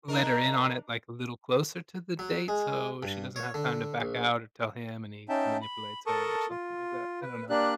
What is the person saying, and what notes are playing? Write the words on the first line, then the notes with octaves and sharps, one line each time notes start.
let her in on it like a little closer to the date so she doesn't have time to back out or tell him and he manipulates her or something like that. I don't know.
D4 D#4 A#4
F#3
G#3
G2
C#5
D3
A#1
C#4 D#4 E5 G5 A5
B5
A4 A#4 A5 C#6 D#6
F4
B4
A#3 D4 G4 D5 F#6